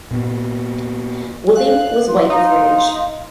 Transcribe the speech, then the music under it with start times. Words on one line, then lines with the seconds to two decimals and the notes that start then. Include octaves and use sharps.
William was white with rage.
0.11 A#2 B3
1.55 F5 F#6
2.08 F#4 C6
2.30 D#4 F5